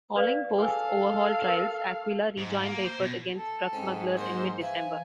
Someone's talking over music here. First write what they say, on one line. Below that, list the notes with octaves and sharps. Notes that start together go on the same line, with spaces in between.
Following post-overhaul trials, "Aquila" rejoined the effort against drug smugglers in mid-December.
B4 D5 F5
G#4 A4 F5 G#5 E6
A#4
G#2
A#3
C5
B2
A4
G#2 C4 C#4
F#3 A#3 C5 C#5
E3 E4 C5 E5 F5 G#5